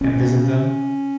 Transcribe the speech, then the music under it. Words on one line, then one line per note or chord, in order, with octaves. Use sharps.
and visit them.
C#2 C#4
C#3